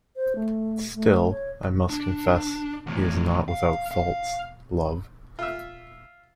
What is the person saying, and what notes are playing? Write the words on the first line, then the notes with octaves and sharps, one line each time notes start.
Still, I must confess he is not without faults, love.
C5
A3
A3
C#5
D4
E2 A2
F5
F5
F4 E5